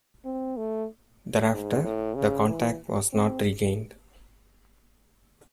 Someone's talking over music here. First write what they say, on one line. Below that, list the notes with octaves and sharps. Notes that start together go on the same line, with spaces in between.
Thereafter the contact was not regained.
C4
A3
G#2
A2
C#3
E3
C4